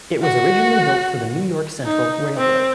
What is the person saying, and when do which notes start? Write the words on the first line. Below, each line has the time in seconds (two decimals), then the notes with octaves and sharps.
It was originally built for the New York Central Railroad.
0.22 F#4
1.84 D#4
2.38 C4